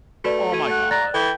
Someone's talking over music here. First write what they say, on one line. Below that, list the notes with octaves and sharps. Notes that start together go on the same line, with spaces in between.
Oh my gosh.
A3 F#4 B4 D5
F#4 G#6 D#7
F#5
D5 A#5 F#6 A6
E3 A4 G5